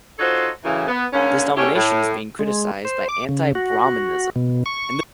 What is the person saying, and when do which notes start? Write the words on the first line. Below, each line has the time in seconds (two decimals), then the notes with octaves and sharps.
This domination is being criticised by Anti-Brahminism.
0.19 D#4 F4 F#4 A4 C5 C#5
0.64 F#2 A2 C#3 E3
0.88 B3
1.13 G#2 D3 A#3 C#4
1.56 D3 A3 C#4 E4 G4 C#5
1.74 A2
2.39 G#3
2.85 C5
3.09 D6
3.29 C#3
3.55 F#4
4.36 B2
4.66 C#6